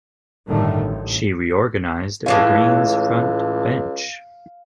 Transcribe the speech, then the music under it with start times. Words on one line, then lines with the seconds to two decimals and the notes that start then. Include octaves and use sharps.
She reorganised the Green's front bench.
0.47 G1 A2 D3 D#3 G3 A3
0.82 A1
2.26 C#2 A2 E3 C#4 F5